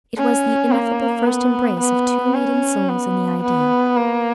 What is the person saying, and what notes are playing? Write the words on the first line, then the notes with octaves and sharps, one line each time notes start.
It was the ineffable first embrace of two maiden souls in the ideal.
C#4
A#3
B3
B3
C#4
B3
B3
A#3